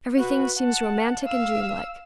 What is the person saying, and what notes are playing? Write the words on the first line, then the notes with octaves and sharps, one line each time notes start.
Everything seems romantic and dreamlike.
F#4 B4
F#5 A5
F5 E6